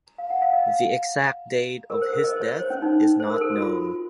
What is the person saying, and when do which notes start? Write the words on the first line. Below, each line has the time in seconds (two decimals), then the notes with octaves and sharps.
The exact date of his death is not known.
0.18 F5
0.30 F#5
0.42 F5
0.53 D#5
1.90 A#4
2.02 C5
2.13 A#4
2.24 D#5
2.36 C5
2.41 C#5
2.59 C5
2.70 C#4
2.82 D#4
3.20 C5
3.30 A#4
3.41 A4
3.51 F#4
3.61 F4